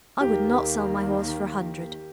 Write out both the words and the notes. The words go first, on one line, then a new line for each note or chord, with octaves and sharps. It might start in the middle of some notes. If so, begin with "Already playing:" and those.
I would not sell my horse for a hundred.
D#2 D#3 A#3 G4